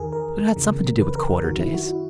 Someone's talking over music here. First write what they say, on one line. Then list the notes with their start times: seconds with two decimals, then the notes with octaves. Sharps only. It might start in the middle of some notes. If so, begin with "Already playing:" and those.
But it had something to do with quarter-days.
Already playing: E2 D#3 G#4 A#4
0.12 A#4
0.56 E2 C#3 E3
1.01 B4
1.16 A#4
1.30 G#4
1.44 F#2 D#3 F#4
1.60 E4
1.74 F#4
1.89 E4